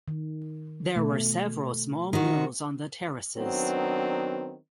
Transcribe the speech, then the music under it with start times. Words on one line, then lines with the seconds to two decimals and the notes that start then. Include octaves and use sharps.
There were several small mills on the terraces.
0.08 D#3
0.96 B2 A3
2.13 D#3 F#4
3.38 D#3 F#3 B3 C4 D4